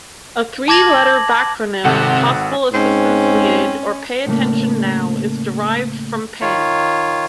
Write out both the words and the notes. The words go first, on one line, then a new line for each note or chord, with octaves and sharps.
A three-letter backronym, "possible assistance needed" or "pay attention now" is derived from "pan".
A5 D6 G#6 A#6 F#7
G#1 C3 A4 F#5
G#2 C4 C#4
A2 C#3 E3 A3 A#3
D#3 F4 C#5